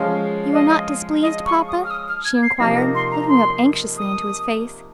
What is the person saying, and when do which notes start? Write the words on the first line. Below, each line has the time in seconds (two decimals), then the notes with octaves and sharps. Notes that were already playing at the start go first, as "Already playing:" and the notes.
"You are not displeased, papa?" she inquired, looking up anxiously into his face.
Already playing: F3 G#3 C#4 F4
0.53 D#5
1.22 D#5
1.45 C#6
1.68 D#6
1.84 F6
1.91 D#6
2.08 F6
2.25 G#6
2.43 C7
2.59 C3 F3 A#3 D#4 A#6
2.76 A#6
2.95 C6
3.11 A#5
3.28 C6
3.98 D#6